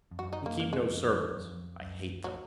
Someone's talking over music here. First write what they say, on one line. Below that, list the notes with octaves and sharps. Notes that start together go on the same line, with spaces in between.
We keep no servants--I hate them.
F2
F#2 F#4
D#4
F#2 A#3
A#3
F2 G#3
F#2
F2
F#2
F2
F#2
F2
F#2
F#3